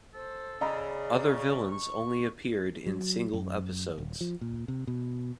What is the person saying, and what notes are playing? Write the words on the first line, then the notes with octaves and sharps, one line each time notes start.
Other villains only appeared in single episodes.
A4 C5
C#3 D5 D#5 A#5 B5
C#6
C#6
F#3
F#2
D#1
F3
A#2
C3
B2